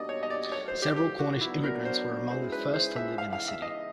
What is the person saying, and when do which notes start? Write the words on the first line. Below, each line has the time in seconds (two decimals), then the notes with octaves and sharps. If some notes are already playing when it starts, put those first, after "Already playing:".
Several Cornish immigrants were among the first to live in the city.
Already playing: B2 G3 A#3 D4 D5 D#5
0.09 C#5
0.23 D#5
0.30 D5
0.52 F#3 A3 D4 F4 A#4 C#5
0.68 C5
0.82 G4
0.96 G4
1.19 F#4
1.41 F#3 B3 D4 E4 F#4
1.64 A#4
1.85 C5
2.30 G#3 C#4 E4 G#4 C5
2.52 B4
2.74 C5
2.96 E5
3.18 C#3 E3 G#3 B3 E4 F5
3.33 F5
3.48 E5
3.62 D#5